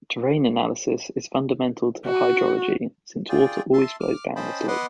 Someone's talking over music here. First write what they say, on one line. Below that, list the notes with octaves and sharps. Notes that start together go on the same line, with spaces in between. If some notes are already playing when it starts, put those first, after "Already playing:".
Terrain analysis is fundamental to hydrology, since water always flows down a slope.
F#4
F4 G#4 D5 G5
E5 A5 C6
D6 F6
C#4 C5 D#5 G5 A5 B5
B3 B4 D#5 F#5 C6 D6